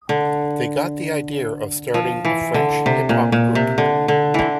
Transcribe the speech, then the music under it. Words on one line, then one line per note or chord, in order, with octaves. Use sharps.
They got the idea of starting a French Hip Hop group.
D3
F3
E3
D3
C3
A#2
A#2
C3
D3
D3
D3 E3